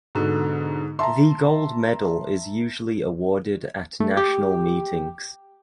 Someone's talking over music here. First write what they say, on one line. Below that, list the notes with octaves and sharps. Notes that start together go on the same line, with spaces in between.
The gold medal is usually awarded at national meetings.
G#2 B2 D3
E5 A5 A#5 C6
A3
G4